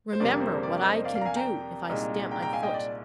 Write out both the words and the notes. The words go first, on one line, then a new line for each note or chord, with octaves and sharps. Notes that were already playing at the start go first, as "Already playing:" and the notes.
'Remember what I can do if I stamp my foot.'
C5
F2 C3 G3 A#3 D4 D5
C5
D5
D5
C5 D#5
D5 F5
D5 F5
A#5
F5 G#5
G5 A#5
C2 A#2 G#3 D#4
G5 A#5
G5 A#5
F5 G#5
D#5 G5
D5